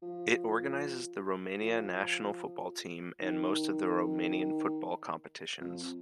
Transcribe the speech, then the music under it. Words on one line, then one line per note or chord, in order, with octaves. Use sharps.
It organizes the Romania national football team and most of the Romanian football competitions.
F3
F3
D#3
F2